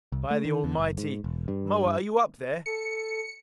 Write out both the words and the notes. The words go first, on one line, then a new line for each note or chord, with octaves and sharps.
By the Almighty, Moa, are you up there?
C2
A3
D#3
E2
F#1
G#2
E1
G2
G2
A4 C#7